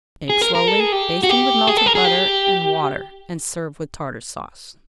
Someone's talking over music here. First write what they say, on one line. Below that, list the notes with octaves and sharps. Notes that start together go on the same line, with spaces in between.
Bake slowly, basting with melted butter and water, and serve with Tartar Sauce.
G#4
A#4
A#4
A4
G#4
G4
F#4
G4
G#4
A4
A#4
G#4
G4